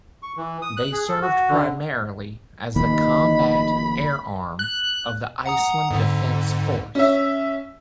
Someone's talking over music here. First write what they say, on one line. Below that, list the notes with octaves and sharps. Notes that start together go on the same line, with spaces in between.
They served primarily as the combat air arm of the Iceland Defense Force.
C#6
E3
D#6
F#6
G#4
A4
F#4
D3
F1 D#3 A#3 D#4 B5
F#6
F#5 A#5 D#6
F2 G#2 D3
C#4 E5